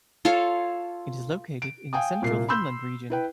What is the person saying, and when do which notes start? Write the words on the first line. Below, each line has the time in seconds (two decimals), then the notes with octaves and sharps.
It is located in the Central Finland region.
0.25 F4 A4 C#5 F5
1.62 D7
1.93 F5 G5 G#5 D#6
2.22 C2 A#2 A#3 C7
2.49 B5 C6 E6 G6
3.10 E4 B4 G5